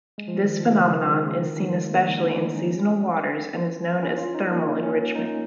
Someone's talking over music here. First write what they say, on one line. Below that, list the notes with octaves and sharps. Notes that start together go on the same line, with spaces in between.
This phenomenon is seen especially in seasonal waters and is known as thermal enrichment.
G#3
F3
D#3
F3
D#3
C#3
C#3
D#3
G#3
C#3
D#3
F3
G#3
A#3
D#4
D#4
C#4
D#4
C#4
C#4
F4
D#4
A#3
A#3
C#4
D#4